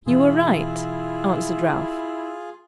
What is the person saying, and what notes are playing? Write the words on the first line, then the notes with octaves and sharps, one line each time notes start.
'You were right,' answered Ralph.
B2 E3 E4 F4 G#4